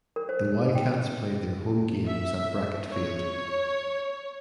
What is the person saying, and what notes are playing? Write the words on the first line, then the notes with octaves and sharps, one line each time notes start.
The Wildcats played their home games at Brackett Field.
A#4
C5
G5
E5
C#5